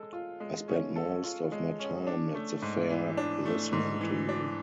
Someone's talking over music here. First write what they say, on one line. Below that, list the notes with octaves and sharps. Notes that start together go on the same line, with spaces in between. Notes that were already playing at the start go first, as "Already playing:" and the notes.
I spent most of my time at the fair listening to you.
Already playing: G#3 A4
F4
G#3
C#4
A4
F4
G#3
C#4
D4
A3
G#2
E3
D4
A3
G#2
E3
D4